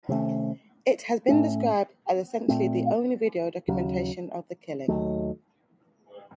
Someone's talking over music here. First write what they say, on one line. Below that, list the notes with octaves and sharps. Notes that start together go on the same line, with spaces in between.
It has been described as "essentially the only video documentation of the killing".
C3 D#3 A3 C#4
A2 A3 C#4
A#2 A3 C4
D#2 C#3 F#3
D#2 D#3 F#3 A3